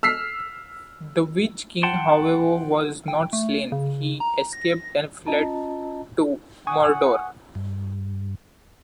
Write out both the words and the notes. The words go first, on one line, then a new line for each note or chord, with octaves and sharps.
The Witch-king, however, was not slain: he escaped and fled to Mordor.
E6 F6 B6 C7
F#5 G5 A5 C6
G5
A3
C#3
A#5
A#6
C#4 F4 D#5 A5 A#5
F#5 G#5 C#6 D#6
G2